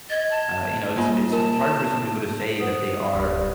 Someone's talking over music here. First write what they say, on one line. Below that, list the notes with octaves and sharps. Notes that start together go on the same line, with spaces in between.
Uh, you know, it's it's hard for some people to say that they are
D#5 G#6 A6
A5
G3 A#3 F4 G#5
A#4 A5
B4 C5 F#5 D#6
D1 G3